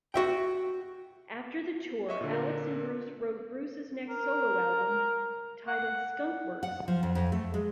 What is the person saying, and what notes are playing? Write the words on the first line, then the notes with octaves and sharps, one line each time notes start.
After the tour, Alex and Bruce wrote Bruce's next solo album, titled Skunkworks.
F#4 E5 G5
D#5 E5 C#6
A#2 D3
A#4
A#4
F#5
F#5
F3
F2
F2
A3
G#3